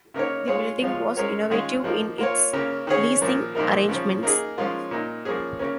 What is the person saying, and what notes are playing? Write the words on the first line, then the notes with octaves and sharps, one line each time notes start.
The building was innovative in its leasing arrangements.
C#3 A#3 D#4 A#4 C#5
G#3 F4 G#4 C#5
F3 G#3 F4 C#5
G#3 C#4 A#4 C#5
D#3 G#3 C#4 F4 G#4
F3 A#3 D#4
A#3 F4 C#5
C#3 A#3 C#4
D#3 C#4 G#4 C#5
A#2 F3 A#3
A#2 F3 A#3 D#4 A#4
C#3 F3 C#4
A#3 D#4 G#4
F3 G#3 C#4 F4 A#4
A#2 A#3 D#4
F3 A#3 C#4 G#4
C#3 A#3 C#4